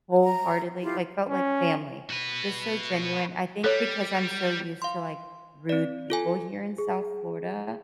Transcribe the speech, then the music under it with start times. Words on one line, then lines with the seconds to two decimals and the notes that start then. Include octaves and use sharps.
wholeheartedly, like, felt like family, just so genuine, I think because I'm so used to, like, rude people here in South Florida,
0.24 A#5
0.82 E4 F4 G4
1.29 C#4
2.10 F#4 B4
3.64 G3 A4 C#5
4.82 F5 C6
5.69 C4 D5
6.10 F4 A4 G#5
6.78 G#4